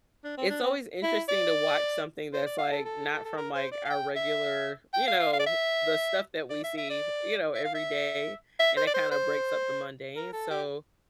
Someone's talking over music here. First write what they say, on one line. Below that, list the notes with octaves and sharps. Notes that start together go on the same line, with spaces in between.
it's always interesting to watch something that's, like, not from, like, our regular, you know, the stuff that we see, you know, every day, and it kinda breaks up the mundane, so
D4
C4
D4
C4
E4
D5
C5
D5
F5
A4
A4
A4
A#4
C5
D5
F5
G5
E5
G5
F5
F5
F5
D5
E5
D5
E5
E5
D5
E5
F5
E5
E5
C5
D5
C5
C5
A#4
A4
G4